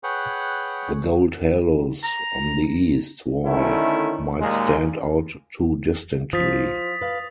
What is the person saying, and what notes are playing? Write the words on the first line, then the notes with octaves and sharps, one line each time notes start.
The gold halos on the east wall might stand out too distinctly.
G#4 B4 C#5 F#5 G5
A#5
D3 D#3 A3 C#4 E4
D#2 A#2 G#3
F3 D#6 A6 B6
B4 F5